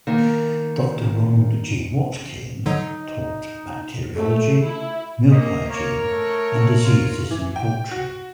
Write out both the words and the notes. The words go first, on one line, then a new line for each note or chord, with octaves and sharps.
Doctor Ronald G. Watkin taught bacteriology, milk hygiene, and diseases in poultry.
D#3 A#3
D3 F#3 D#4
A3
E4
A#3 D#5
A#3 A#4 C#5
A3
F4
E3
G5
F#4